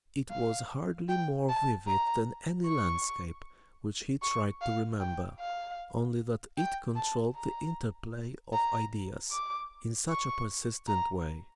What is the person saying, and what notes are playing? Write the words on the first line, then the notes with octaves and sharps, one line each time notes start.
It was hardly more vivid than any landscape which he tried to remember, only that it controlled the interplay of ideas in such a persistent way.
F5
G5
A5
A#5
C#6
C#6
F5
G5
F5
G5
A5
A#5
A#5
D6
C#6
A#5